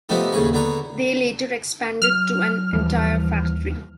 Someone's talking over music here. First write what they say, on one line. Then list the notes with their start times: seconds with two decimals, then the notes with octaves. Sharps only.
They later expanded to an entire factory.
0.09 C3 F3 A3 B3 D#4 G4
0.32 D#2 A2 C#3 G#4 C#6
0.53 D3 B3 A#5 C#6
2.02 F#3 F6
2.73 D#2 E3 F3 G3